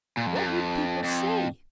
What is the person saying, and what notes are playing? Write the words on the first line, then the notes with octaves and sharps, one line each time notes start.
What would people say?
A#2
F2
F#2
F2
F2